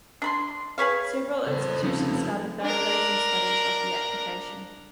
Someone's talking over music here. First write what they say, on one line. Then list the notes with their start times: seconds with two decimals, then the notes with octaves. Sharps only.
Several institutions started validation studies of the application.
0.22 D4 B5 C6
0.78 G#4 B4 C#5 F5
1.47 C#3 A4 C5
1.83 F3 A3 C4 C#4 D#4
2.62 D4 A#4